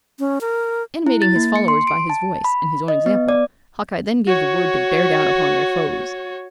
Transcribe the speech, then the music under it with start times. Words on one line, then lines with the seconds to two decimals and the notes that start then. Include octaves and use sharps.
Animating his followers by his voice, and his own example, Hawkeye then gave the word to bear down upon their foes.
0.19 C#4
0.41 A#4
1.06 E4
1.22 A6
1.36 A#3
1.56 C#7
1.68 C6
1.87 D7
2.10 A5
2.44 B5
2.88 D#5
3.06 B3
3.29 D5
4.27 F#4 C#5